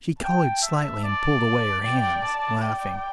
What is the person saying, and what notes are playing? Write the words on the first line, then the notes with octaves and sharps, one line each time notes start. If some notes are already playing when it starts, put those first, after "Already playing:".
She coloured slightly and pulled away her hands, laughing.
G5 A5
E5
D5
G5
A5
G5